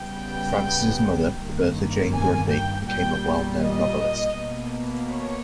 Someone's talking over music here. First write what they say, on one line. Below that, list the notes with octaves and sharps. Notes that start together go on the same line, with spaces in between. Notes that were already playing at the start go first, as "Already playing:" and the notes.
Francis' mother, Bertha Jane Grundy, became a well-known novelist.
Already playing: C#3 G3 B3 G5
G2 D#3 A#3
G#5
G5
A#2 G3 A#3 G5
D#5
B2 A#3
C#5